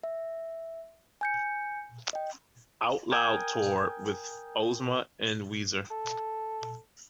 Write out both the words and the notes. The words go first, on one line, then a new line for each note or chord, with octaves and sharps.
Outloud tour with Ozma and Weezer.
E5
G#5 G6 C#7
D#5 G5
A#4 G5 G#5 D#6 G6 G#6
A4